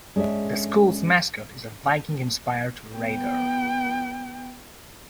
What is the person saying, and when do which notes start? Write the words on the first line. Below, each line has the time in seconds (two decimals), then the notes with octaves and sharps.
The school's mascot is a Viking-inspired "Raider".
0.16 G#3 C#4 D4 A4 E5
2.94 B3 G5